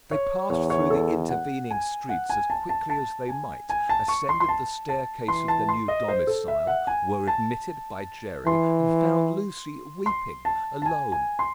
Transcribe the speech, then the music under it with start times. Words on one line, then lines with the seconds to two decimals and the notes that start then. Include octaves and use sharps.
They passed through the intervening streets as quickly as they might, ascended the staircase of the new domicile, were admitted by Jerry, and found Lucie weeping, alone.
0.11 C#5
0.50 E2 C#5
0.70 C#5
0.90 A4
1.30 F#5
1.71 G#5
2.09 F#5
2.30 G#5
2.50 A5
2.69 A5
2.90 A5
3.29 G#5
3.70 G#5
3.89 A5
4.08 C#6
4.29 C6
4.40 C6
4.49 A5
4.89 A5
5.28 E3 C6
5.48 A5
5.69 C6
5.88 D#5
6.08 C5
6.27 A4
6.48 E5
6.67 F#5
6.87 G#5
7.28 A5
8.47 E3 C6
10.06 C6
10.45 A5
10.82 A5
10.86 G#5
11.12 G#5
11.39 C6